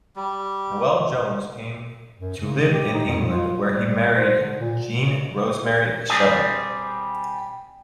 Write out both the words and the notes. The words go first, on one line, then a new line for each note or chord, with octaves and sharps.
Noel Jones came to live in England, where he married Jean Rosemary Cheval.
G3
F#2
C#3
G4
D#4
F2
F4
G3
C5
D3
A#2
G3 C4 G#4